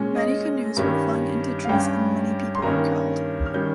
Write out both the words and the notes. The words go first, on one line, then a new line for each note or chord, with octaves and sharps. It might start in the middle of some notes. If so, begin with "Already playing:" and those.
Many canoes were flung into trees and many people were killed.
Already playing: A#2 G#3 C#4
D#5
G2 D#3 G3 C#4
F5
G2 G3 C#4 G5
C6
G2 D#3 A#3 C#4 A#5
F6
D#3 G3 C#4 G6